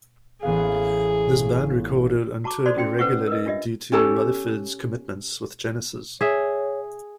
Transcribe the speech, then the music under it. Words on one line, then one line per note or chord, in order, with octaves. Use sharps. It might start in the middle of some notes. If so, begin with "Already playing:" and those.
This band recorded and toured irregularly due to Rutherford's commitments with Genesis.
A1 B3 G#4 F5
F#4 A5 A#5 C#6 D6
F#4 A4 C5 D5 C6
C#4 F#4 G5 C6
C#4 A4 B4 C5 F#5 C#6
A#4 B4 D#5
D4 F4 G4 D#5 E5
C#4 G4 A4 A5
G#4 C#5 E5